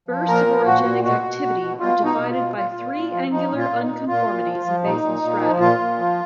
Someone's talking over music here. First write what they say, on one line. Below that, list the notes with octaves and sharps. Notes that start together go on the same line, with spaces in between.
Bursts of orogenic activity are divided by three angular unconformities in basin strata.
F3
A#2 A#4
F3
A#2 F#4
A#2
B2 F#4
B2
B2
B2
B2 F4
B2
D#4
B2
F4
B2
A#2 F4
A#2
A#2
F3
F3 D#4
A#2
F4
A#2
D#4
A#2
A#2 F4
A#2
F3
F3
A#2 D#4
A#2
A#2
F3
A#2 F4
A#2
F3